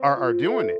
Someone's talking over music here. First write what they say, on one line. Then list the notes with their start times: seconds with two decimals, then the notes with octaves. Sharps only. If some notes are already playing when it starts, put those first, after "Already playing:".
are are doing it.
Already playing: C4
0.16 F4
0.44 A4 E5